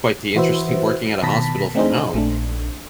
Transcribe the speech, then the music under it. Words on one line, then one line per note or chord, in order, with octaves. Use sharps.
quite the interesting working at a hospital, from home.
E3 E4 F#4 B4 C5 E5
B2 D#3 A5 B5 A#6 B6
A3 C4 D4 D#4 G#4 C5
A#1 A3 D4